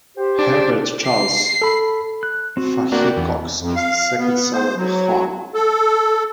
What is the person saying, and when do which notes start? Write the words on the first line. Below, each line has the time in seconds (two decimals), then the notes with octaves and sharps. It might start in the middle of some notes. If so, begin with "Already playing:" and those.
Herbert Charles Fahie Cox was the second son of the Hon.
0.17 G4 C5
0.38 D4
1.05 C7
1.62 A4 B5
2.23 F#6
2.57 C4 F#4
2.92 A#3 B3 D4 F#4 G5
3.17 E2
3.59 F2
3.75 F5
4.18 B3
4.52 C5
4.75 F#3
5.54 A4